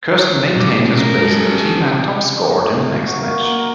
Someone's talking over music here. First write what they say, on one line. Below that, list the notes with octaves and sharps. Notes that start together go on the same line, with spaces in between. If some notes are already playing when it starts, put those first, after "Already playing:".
Kirsten maintained his place in the team and top scored in the next match.
B2 G3 D6
A3 A#3 C#4
G#3 C#4 A#4
G4 A4
F#4
A#3
A#3
A#5